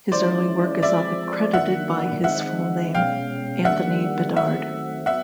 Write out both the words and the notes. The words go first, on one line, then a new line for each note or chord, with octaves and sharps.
His early work is often credited by his full name - Anthony Bedard.
E3 G#3 C#4 E4 C5 D5
F3 G#3 C4 D5 E5
D#3 F#3 A#3 D4 E5 F#5
D#3 G#3 C4 D#4 E5 F#5
B2 G#3 C#4 F5 G5
D#3 G3 A#3 D4 E5 F#5
D#3 F#3 A3 C4 E5 F#5
F#3 B3 E5 F#5